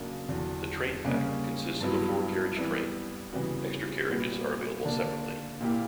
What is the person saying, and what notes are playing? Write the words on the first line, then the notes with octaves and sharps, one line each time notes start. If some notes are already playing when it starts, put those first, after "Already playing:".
The "train pack" consists of a four-carriage train; extra carriages are available separately.
Already playing: C#3 F#3 A#3 D4
E2 D3 F#3
C#3 G3 A#3 C#4
G2 F#3 B3 E4
E3 G3 B3 E4
C#3 E3 G3 B3 F#4
A#2 G3 B3 F#4
D3 A#3 D4
A#2 A#3 E4 G4